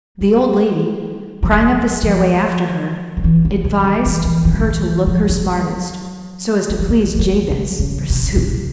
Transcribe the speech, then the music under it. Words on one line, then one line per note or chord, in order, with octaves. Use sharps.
The old lady, crying up the stairway after her, advised her to look her smartest--so as to please Jabez, forsooth!
G3
F#3
G3
F#3
F3
D#3
E3
E3
D#3
D#3
E3
E3
E3
F3
E3
F3
G3
F#3
F3
F#3
G3
G3
F#3
G3
C#3
C3
C#3
C3